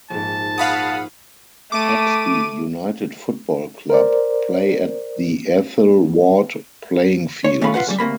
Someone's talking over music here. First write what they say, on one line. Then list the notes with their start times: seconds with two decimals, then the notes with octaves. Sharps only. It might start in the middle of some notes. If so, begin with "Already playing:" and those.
Haxby United Football Club play at the Ethel Ward Playing Fields.
0.10 A#1 G#2 A5
0.58 F5 F#5 B5 C#6 D#6
1.72 A3 D6 D#7
3.90 A#4 C5 D5
7.44 C#5
7.62 D#3 A3 C#4 F4 F5 B5
7.74 F4 G4 B4 F#5
7.87 C#3 F#3 G3
7.99 D2 C3 A#3 B5